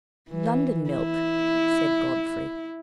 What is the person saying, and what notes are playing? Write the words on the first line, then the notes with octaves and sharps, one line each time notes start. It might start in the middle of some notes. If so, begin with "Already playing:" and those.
"London milk!" said Godfrey.
E3
E4